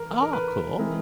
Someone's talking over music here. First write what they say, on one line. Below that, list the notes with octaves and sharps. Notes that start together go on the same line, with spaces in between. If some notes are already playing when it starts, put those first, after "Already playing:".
Aw, cool.
Already playing: E3 A#4
A#4
B4
E3 G#3 C4 E4 A#4